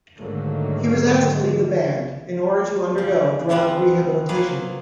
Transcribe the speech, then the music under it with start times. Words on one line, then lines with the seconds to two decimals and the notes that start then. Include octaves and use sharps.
He was asked to leave the band in order to undergo drug rehabilitation.
0.19 G#2 D3 D#3 F#3 A3 A#3
2.98 C#3
3.49 B2 F3 B3 C4 F#5
4.29 F#3 A#3 F4 G#4 B4